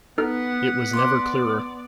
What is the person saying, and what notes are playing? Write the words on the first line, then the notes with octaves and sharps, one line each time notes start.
It was never clearer.
B3 D#4 A4 B4 F#5 F6
B3 D5 C6 D6